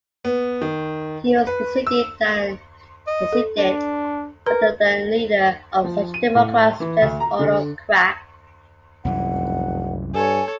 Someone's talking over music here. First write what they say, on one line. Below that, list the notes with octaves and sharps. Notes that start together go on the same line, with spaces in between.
He was preceded and succeeded by the then leader of social-democrats, Jens Otto Krag.
B3
D#3
B4
E6
D#5
A4
D4
A#4 B4
F3
D#7
A2
E3
D2
A#5
D3
F1 C2 F#2 E3 F#5
G2 A4 C#5 G#5